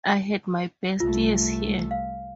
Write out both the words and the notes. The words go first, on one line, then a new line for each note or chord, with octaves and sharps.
I had my best years here.
C2 A3 F4
F5